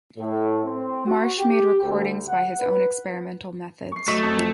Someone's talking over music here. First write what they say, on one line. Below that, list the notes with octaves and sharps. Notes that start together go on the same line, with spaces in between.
Marsh made recordings by his own experimental methods.
A2
C4
F#4
G4
D2
F#5
B4
C#6 C7
F#3 A3 D#5 C#6 B6
F2
F3